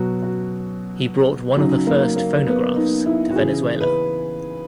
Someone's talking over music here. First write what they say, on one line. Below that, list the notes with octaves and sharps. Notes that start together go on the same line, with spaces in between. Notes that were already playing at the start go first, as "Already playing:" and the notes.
He brought one of the first phonographs to Venezuela.
Already playing: B2 F#3 F#4
F#4
C#3 F#3 D#4
A#3
A#3
B3
D#4
E4
F#4
C#3 E3 G#4
B4